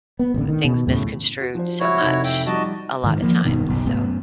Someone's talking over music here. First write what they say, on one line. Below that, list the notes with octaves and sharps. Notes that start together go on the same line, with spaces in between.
things misconstrued so much, a lot of times, so
B3
A1 D3
D#3
B2
E2 A2 C#3
F#4
F3 C5
E4 F#4 C#5
F1 E3 D#4
E5 G5
F3 G3 D#4 F#4 D#5 A5
G#2 D#3 E3
F3 A#3
E1 G2 B2 D#3
F#1 B1 E2
F1 G#2 A3 B3
F#2